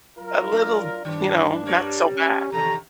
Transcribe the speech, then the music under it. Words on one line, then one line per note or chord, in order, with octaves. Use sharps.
a little, you know, not so bad.
F#3 F4 A#4
A3 D4
G2 D#3 D4
G3 A#4 C#5
C#4
E2 C3 D#3 A4 A#5